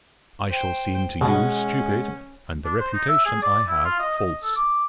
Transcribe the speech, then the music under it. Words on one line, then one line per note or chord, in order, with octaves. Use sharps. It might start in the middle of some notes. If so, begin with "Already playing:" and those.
I shall seem to you stupid, and the reputation I have false.
C5 G5
B2 G#3 C#4 F#5 G#5
D4
C5
D#4
E5
G#4
D5
E4
F4
D#5
D#5
A4
D6